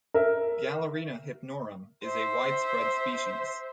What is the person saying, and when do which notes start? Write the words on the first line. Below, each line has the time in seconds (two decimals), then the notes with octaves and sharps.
"Galerina hypnorum" is a widespread species.
0.14 A#4 E5
2.04 C5 E5